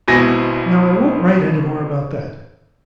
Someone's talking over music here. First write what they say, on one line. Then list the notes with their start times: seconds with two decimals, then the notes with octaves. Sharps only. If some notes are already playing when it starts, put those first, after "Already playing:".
Now I won't write any more about that.
0.08 G#1 B2 E4 G#5 A#6